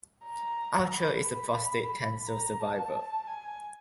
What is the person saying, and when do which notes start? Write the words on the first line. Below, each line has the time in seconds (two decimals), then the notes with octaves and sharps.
Archer is a prostate cancer survivor.
0.25 A#5
0.92 B5
1.26 B5
2.27 A#5
2.60 A5
3.28 G#5